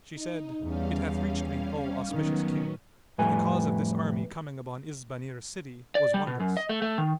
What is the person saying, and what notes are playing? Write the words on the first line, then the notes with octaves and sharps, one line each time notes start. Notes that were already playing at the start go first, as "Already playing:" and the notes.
She said, It hath reached me, O auspicious King, that the cause of this army coming upon Isbanir city was wondrous.
D#4
E2 G3 C#4 F5
D#3 F#3 B3 C#4
F2 A2 G3 B4 G#5
D5
G3
B2
F#2
D#5
A3
A3
D#3